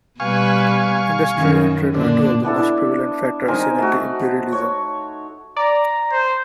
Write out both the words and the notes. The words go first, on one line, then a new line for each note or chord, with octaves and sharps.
Industry and trade are two of the most prevalent factors unique to imperialism.
B2 G3 B4 F5 G#5 C#6
F#2 D#3
A#2 D3 D4
B3 D4 E4 A4
C4 D#4 A#4 G#5
A3 F#4
C#5
D5 A#5
C5